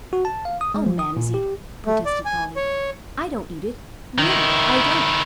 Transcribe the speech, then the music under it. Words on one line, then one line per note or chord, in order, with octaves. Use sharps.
"Oh, Mamsie," protested Polly, "I don't need it; really, I don't."
F#4
A5
F5
D#6
G#3
F3
D#6
A#2
G4
A3
D5
G#5
C#5
D#3 E4